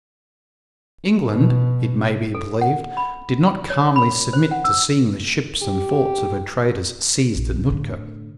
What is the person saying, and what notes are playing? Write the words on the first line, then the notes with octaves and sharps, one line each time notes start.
England, it may be believed, did not calmly submit to seeing the ships and forts of her traders seized at Nootka.
B2
A4
F#5
B5
C#5
B5
C5
F#5
E6
G4
A#1
C#2
A2 D3